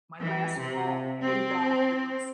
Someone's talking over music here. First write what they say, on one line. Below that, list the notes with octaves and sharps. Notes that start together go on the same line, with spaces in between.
my last bowl came back, it was
E3
C3
C4